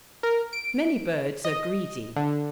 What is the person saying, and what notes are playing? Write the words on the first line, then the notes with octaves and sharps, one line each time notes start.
Many birds are greedy.
A#4
D7
D#5
D3